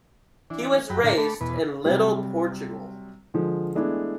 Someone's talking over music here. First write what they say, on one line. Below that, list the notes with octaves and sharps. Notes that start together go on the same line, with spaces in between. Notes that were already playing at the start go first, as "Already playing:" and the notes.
He was raised in Little Portugal.
E3 D4
F#2 F#3 G4 B5
A2 D3 D4 A#4
A3 A4 B5 D6
E2 B2 B4
C3 F#3 G3
D3 F3 G#3
E3 G#3 A3 B3 D4 E4